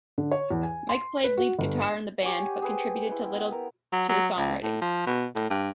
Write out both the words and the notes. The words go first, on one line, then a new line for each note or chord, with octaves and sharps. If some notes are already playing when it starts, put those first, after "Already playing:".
Mike played lead guitar in the band, but contributed little to the songwriting.
D3
C#5
E2
G#5
C6
B4
F#4
G1
E7
G4 C#5 F#5 G#5
G#4 B4 C5
E4 F#5 G5
B3
A#4
F#3
F#3
C#2
A2
F3
B2
A2
G2